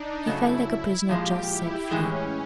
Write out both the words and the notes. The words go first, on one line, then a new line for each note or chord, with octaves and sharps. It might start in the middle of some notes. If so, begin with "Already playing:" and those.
He felt like a prisoner just set free.
Already playing: D4 D#4
C#3 F#3 A3 E4
A#2 F3 G#3 G4
E4
A2 E3 G#3 C#4